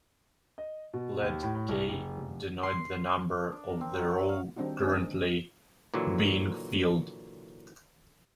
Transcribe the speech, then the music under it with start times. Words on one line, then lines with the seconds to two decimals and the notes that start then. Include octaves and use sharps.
Let "k" denote the number of the row currently being filled.
0.58 D#5
0.93 B2
1.22 D#2
1.43 A2
1.55 A2
1.69 C2
1.88 F#1
2.17 F1
2.63 C6
3.52 D4
3.69 A#4
3.81 C4
3.93 F#3
4.11 C#5
4.29 F5
4.56 D#3 G3 C4 D4 D#4 F#4
4.81 G#3 C4 D4 D#4 G#4
5.94 A#2 D3 E3 F#3